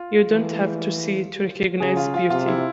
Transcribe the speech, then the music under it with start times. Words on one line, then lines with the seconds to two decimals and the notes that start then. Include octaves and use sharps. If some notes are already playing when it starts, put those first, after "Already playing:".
You don't have to see to recognize beauty.
Already playing: F4
0.31 E3
1.80 C#3 G#4
1.97 F4
2.14 F4
2.30 C3 F4
2.48 E4